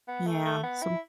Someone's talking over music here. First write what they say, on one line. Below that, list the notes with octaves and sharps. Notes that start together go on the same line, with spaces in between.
yeah, so
B3
A3
A3
B3
E4